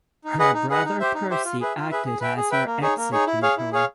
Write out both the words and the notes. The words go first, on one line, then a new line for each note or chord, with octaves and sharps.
Her brother Percy acted as her executor.
D#4
G#4 B4 D#5 F#5
D#4
G#4 B4 D#5 F#5
D#4
G4 C5 E5
D#4
G4 C5 E5
F4
G#4 B4 E5
F4
G#4 B4 E5
G#4
B4 E5 G5
G#4
B4 E5 G5
A#3
D#4 G#4 C#5
A#3
D#4 G#4 C#5
E4
G#4 C#5 F5
E4
G#4 C#5 F5